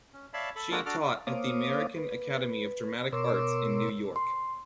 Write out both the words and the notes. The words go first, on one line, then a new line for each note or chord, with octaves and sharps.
She taught at the American Academy of Dramatic Arts in New York.
C#4
C#5 D5 E5 F5 A5 B5
A4 B5
G#3 A#3 D4 F#4 A4 A#4
D4 F#4 A4 D6 F6
A#3 C5 C#5 F5 D6 D#6
B4
B2 A#4 C#5 C6 D6 E6
C6